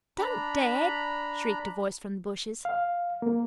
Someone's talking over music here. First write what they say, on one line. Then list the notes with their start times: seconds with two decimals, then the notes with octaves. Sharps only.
"Don't, Dad!" shrieked a voice from the bushes.
0.18 D4 A#5 B5
2.65 F5
3.22 A#3